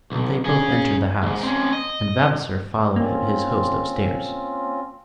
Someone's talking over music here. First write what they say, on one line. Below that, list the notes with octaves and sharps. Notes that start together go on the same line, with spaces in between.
Then they both entered the house, and Vavasor followed his host up-stairs.
B1
C#4 G#4
D2 G#2
C4 C#4
D#5
A#3 C4 C#4 F4